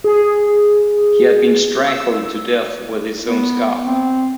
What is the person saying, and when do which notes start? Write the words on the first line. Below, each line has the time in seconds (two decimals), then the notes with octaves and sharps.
He had been strangled to death with his own scarf.
0.04 G#4
1.88 E6
3.25 B3
3.86 C4